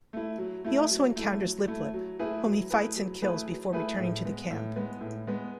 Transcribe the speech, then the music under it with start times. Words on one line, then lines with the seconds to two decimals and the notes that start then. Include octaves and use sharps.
He also encounters Lip-Lip whom he fights and kills before returning to the camp.
0.13 A3 E4
0.38 F#3
0.64 A3 E4
0.91 F#3
1.16 A3 E4
1.41 F#3
1.68 A3 E4
1.94 F#3
2.19 A3 E4 G#4 B4
2.44 F#3
2.70 A3 E4 G#4 B4
2.96 F#3
3.22 A3 E4 G#4 B4
3.48 F#3
3.72 A3 E4 G#4 B4
3.98 A2
4.25 G#3 B3
4.51 A2
4.76 G#3 B3
5.01 A2
5.27 G#3 B3